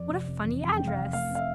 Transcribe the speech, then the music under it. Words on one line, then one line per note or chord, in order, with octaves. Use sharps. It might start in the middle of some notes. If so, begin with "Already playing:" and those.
"What a funny address!"
Already playing: F2 D5
C3
F1
E2
F1
C3 G5
F5
F1
A3 F5
C4
F5
E5